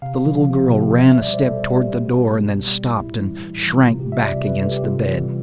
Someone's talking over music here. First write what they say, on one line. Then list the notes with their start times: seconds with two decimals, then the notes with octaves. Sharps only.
The little girl ran a step towards the door, and then stopped and shrank back against the bed.
0.02 C3 F5
0.25 F3
0.50 C3
0.73 F3
0.98 B2 E5
1.22 G3 D5
1.34 C5
1.46 B2 A4
1.70 G3 G4
1.95 B2
2.19 G3
2.43 B2
2.67 G3
2.91 A2 E4
3.16 E3 G3
3.39 A2
3.63 E3 G3
3.87 C3 F4
4.00 G4
4.12 G3 E5
4.23 D5
4.36 C3
4.47 B4
4.60 G3 A4
4.71 G4
4.83 C3 F4
5.08 E3 G3